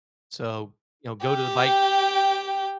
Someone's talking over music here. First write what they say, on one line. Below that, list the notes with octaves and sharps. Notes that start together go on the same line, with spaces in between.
So, you know, go to the bike
G4 G5